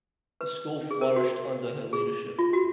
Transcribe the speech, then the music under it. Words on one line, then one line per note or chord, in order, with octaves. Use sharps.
The school flourished under her leadership.
B4
G#4
A#4
F#4
G#4
F4
F#4